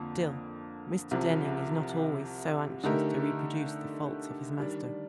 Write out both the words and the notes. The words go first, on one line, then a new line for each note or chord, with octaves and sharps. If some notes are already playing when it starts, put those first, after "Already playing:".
Still, Mr. Denning is not always so anxious to reproduce the faults of his master.
Already playing: F2 D3 F3 A#3
C2 C3 F3
D3 A3 D#4 G4 A#4
D#3 G3 D4